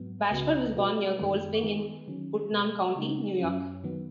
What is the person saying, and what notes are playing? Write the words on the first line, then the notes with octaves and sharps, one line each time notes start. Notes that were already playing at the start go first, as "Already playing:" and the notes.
Bashford was born near Cold Spring in Putnam County, New York.
Already playing: G#2 F#3 B3
C#2 C#3 B3 F#4
B2 B3 F#4
F#2 D#3 G#3 B3
D#3 G#3 B3 G#4
D#3 F#3 C#4
B2 G#3 B3
C#3 G#3 D#4
F#2 F#3 C#4
D#3 F#3 B3